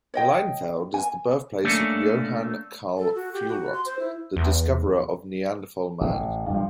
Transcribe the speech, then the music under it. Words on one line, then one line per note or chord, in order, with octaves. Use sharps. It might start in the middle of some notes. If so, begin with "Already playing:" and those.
Leinefelde is the birthplace of Johann Carl Fuhlrott, the discoverer of Neanderthal man.
C#5 D#5 G5
G#5
A3 A#3 C#4 D4
A4
F#4
G4
F#4
C6
C5
E4
E2
A1 A2
G2 F3